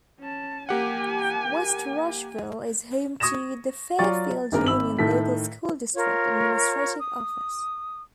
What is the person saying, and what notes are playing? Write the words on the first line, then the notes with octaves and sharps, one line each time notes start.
West Rushville is home to the Fairfield Union Local School District Administrative Office.
C#4 A5
A#3 G4 F#5 G#5
C#6 D#6 G#6 A#6 E7
F#3 F4 D5 C#6 A6
G#1 G2 G#4 A#4
G#1 B5 E6 F#7
A2 D#3 A4 B6
F4 A#4 C#5
D#6